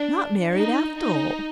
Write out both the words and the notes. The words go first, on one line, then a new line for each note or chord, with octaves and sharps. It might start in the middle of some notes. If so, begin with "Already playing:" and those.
Not married after all?'
Already playing: D4
D#4
D#4